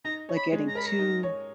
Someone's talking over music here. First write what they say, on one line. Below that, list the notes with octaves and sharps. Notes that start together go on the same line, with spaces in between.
like, getting too
D#4 A#5
C#5
B5
G#3
A#5
A#4 B5
A#5
D#4
C#5